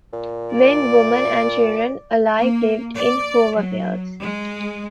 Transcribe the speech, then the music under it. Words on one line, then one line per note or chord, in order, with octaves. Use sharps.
Men, women and children alike lived in Hoovervilles.
A#2
D5
A#3
D5
F#3
G#3